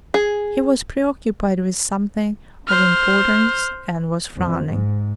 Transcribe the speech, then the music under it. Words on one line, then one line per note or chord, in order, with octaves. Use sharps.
He was preoccupied with something of importance and was frowning.
G#4
C5 F6
F2
G#2